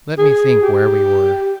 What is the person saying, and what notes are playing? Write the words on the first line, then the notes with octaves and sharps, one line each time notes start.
LET me think where we were.
G#4
G4